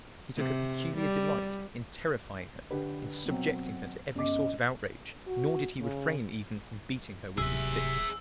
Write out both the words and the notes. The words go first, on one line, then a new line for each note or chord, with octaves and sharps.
He took a peculiar delight in terrifying her, in subjecting her to every sort of outrage; nor did he refrain even from beating her with his fists.
C3
G3
D3 G4 B4
B2 F#3 C4
G1 C#4 D#5 D6
F#4
C#3
D1 G#2 C3 G#4 E5 E6